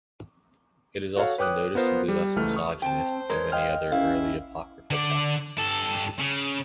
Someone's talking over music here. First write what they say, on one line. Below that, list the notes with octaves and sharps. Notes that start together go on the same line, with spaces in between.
It is also noticeably less misogynist than many other early apocryphal texts.
F#4 A4 C#5 F5
B4 C#5 G5 D6 D#6 F#6
B3 F4 A#4 C5
G3
C#2 E3 A3 F6
C#6 D#6
C4 C5 G5 A5
G#3 A#4 B4 C#5
D#5 F5 G5 F6
C#4 E4 F5
D3 D5
G2 A4
C#3